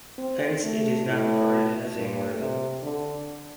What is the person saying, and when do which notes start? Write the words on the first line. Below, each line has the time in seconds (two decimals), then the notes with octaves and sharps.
Hence it is not regarded as a Marilyn.
0.18 C4
0.63 A3
1.07 A2
1.95 G2
2.39 C3
2.83 D3